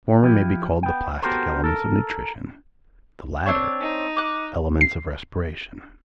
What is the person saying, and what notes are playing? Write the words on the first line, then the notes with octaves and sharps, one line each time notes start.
The former may be called the plastic elements of nutrition; the latter, elements of respiration.
F3 E4 G4
B3 G5
B3 F#4 G4 A4 A#4 C5
A4 A#4
C4 D4 C#5
D#4
D6 F#6
C7